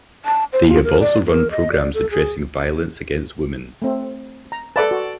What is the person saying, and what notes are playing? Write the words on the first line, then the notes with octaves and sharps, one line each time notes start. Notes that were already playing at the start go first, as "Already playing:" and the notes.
They have also run programs addressing violence against women.
A5
C5
F4
A#4
D5
A#4
D#5
D5
A4
G#4
A3 C4
A#5
A4 B4 D5 A5
F#4